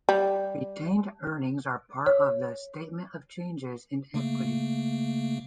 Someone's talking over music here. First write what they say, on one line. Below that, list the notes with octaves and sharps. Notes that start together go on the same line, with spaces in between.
Retained Earnings are part of the "Statement of Changes in Equity".
G3
C#5
C#3 A3 A#3